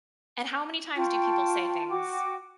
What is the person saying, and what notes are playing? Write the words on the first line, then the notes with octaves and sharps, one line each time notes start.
And how many times do people say things
F4 G5 A5 C#6
F#4 G5 D6